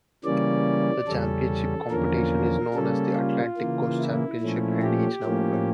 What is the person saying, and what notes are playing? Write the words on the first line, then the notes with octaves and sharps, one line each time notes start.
The championship competition is known as the Atlantic Coast Championship held each November.
C#3 E3 G3 A#3 C#4 D5
E2 C#3 G3 C#4 A4
E2 D3 F3 A#3 C#4 A#4
C#3 G3 A#3 C#4 A4
F4
C#3 E3 A#3
E4
A#2 F3 A3 C#4
G4
A2 F3 A#3 C#4